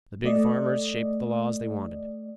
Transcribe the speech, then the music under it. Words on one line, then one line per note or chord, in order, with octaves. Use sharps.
The big farmers shaped the laws they wanted.
A3 D5 D#5